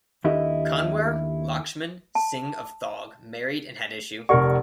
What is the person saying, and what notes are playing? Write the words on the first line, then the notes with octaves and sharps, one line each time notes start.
Kanwar Lakshman Singh of Thog, married and had issue.
D#2 D4 E4 G4 A4 D#5
A5
F1 G4 A#4 D5 F#5 C#6